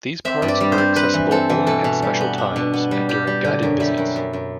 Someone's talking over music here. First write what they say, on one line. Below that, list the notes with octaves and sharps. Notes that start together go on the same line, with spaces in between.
These parts are accessible only at special times and during guided visits.
C4 E5
G2
D5
G3
C5
C4
C4 B4
E3
C4 A4
E3
B2 A4
B2
G3
B3
D4
B2
B3
G3
G3 G4
G3
D3
F#2
G3 E4
F#2
F#2
F#2